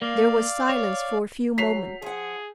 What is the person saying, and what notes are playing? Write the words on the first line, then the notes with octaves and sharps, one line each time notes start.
There was silence for a few moments.
A#3 D5 F5
C#5
F#3 B6 C7 F7
F3 G#4 F#5